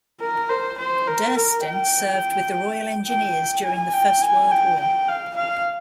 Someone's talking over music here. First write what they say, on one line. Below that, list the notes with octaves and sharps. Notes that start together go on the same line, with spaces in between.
Durston served with the Royal Engineers during the First World War.
A#4
C5
C5
A#4
A#4
G5
G5
G#5
G5
G#5
G5
G5
F5
F5